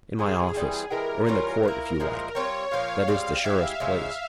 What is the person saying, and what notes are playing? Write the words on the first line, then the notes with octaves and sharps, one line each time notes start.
"In my office, or in the court, if you like,--that is the surest place."
A#2 F3 C4 G#4
E3 G3 C4 E4
E3 G#3 E4 G4 A#4
E3 G3 C#4 F4 A#4
F3 A#3 E4
A#2 F3 G#3 E4
G3 C4 F4 C#5
A#2 F3 A#3 F5
G3 C4 F4 G#4 F5
G#3 E4 G4 E5
C#3 F3 G#3